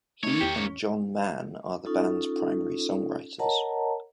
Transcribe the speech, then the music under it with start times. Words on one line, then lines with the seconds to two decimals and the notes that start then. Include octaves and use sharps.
He and John Mann are the band's primary songwriters.
0.23 A3 A#3 D#4 C#5
0.40 G#1 E2 G4
0.57 C#4
1.86 C#4 D#4 F4 A4
3.39 A#4 C#5 D#5 F#5 A5 A#5